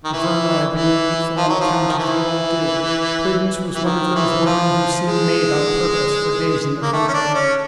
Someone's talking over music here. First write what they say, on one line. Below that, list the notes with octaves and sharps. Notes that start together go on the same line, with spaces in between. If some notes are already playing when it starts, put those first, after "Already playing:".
Duvernoy being needful on account of the old duke, Prudence was one of those women who seem made on purpose for days in the country.
D#3
E3
E3
F3
F#3
F3
D#3
E3
E3
D#3
E3
F3
G#3
A#3
A3
C#4
D4
C#4